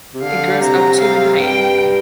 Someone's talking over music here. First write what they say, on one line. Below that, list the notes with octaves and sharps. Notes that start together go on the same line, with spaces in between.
It grows up to in height.
C3
D3 F5
C3 A#5
F5
G2 G5